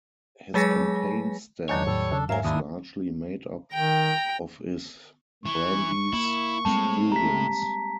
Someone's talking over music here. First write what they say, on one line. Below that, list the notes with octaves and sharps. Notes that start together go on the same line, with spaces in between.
His campaign staff was largely made up of his Brandeis students.
F#3 G#3 G#4 G#5 A#6
E2 D#3 F#3 D4 D#4 C#5
A2 G3 A4
C#3 D4 A4
G#2 F#3 A#4 E5 F5 G#5
D#2 D4 E4 D#6
D#3 G5 A#5
E3 C#6
A#3 E4
A2 G3 G#3 C4 A5
G4 A#5 B6